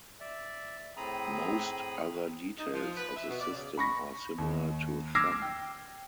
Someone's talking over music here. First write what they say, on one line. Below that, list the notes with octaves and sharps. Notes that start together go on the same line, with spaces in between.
Most other details of the system are similar to Thumb.
D5 E5
A2 C4 G#4 A#5 B5 D#6
D#4
F3
B4
E5
B2
D5
C#3
B5 C#6 A#6
D#2
D6 E6 F6 G#6 A#6 C7
G5